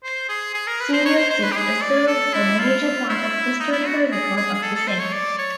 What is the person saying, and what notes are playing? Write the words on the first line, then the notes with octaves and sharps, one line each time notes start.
Serial Set, and serve a major part of the historical record of the Senate.
C5
G#4
G#4
A#4
B4
C5
C#5
C5
C5
B4
G4
G#4
D5
A4
E4
F4
E4
D#4
E4
F#4
G#4
G#4
G#4
A4
A4
C5
C#5
D5
C#5